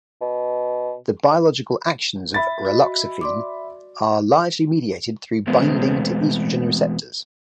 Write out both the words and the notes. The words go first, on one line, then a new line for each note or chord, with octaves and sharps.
The biological actions of raloxifene are largely mediated through binding to estrogen receptors.
B2
E5 B5 A6
F#4 D#5
D5 C6 D6
E2 B2 G#3 A3 B3 C4